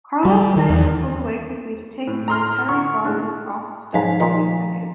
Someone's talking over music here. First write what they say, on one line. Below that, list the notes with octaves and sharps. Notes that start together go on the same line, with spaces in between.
Carlos Sainz pulled away quickly to take Valtteri Bottas off the start claiming second.
G3
D#3
E2
A2
A#5 C6 F6
D3 C#6
A2 G#3 D4
B1 G#2 F3 F5 B6
A#2 D#3